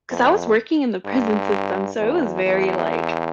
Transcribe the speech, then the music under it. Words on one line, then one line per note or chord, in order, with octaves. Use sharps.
'cause I was working in the prison system, so it was very, like,
F2
G2
E2
E2